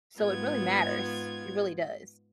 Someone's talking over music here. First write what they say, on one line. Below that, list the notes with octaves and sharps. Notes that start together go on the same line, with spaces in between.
So, it really matters. It really does.
G#2 B3 F4 G#6